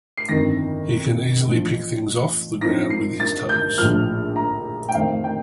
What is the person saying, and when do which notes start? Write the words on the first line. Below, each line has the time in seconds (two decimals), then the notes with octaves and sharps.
He can easily pick things off the ground with his toes.
0.17 C7
0.29 G1 F2 D#3 A#6
1.45 A1 G2 F3
2.61 G2 F3 C4 D#4 A#6
2.90 C7
3.20 A6
3.49 G6
3.78 A#1 A2 F3 F6
4.36 A#5
4.89 G5
4.95 F2 D#3 A3 C4 F5
5.24 G5